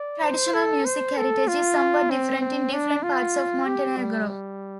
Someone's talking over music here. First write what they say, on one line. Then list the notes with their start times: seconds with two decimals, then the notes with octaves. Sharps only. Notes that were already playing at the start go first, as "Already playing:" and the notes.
Traditional music heritage is somewhat different in different parts of Montenegro.
Already playing: D5
0.23 C5
0.54 A4
0.85 C5
1.17 A4
1.48 F4
2.11 C4
2.41 C4
2.73 D4
3.03 F4
3.66 G4
3.97 G3
4.28 G3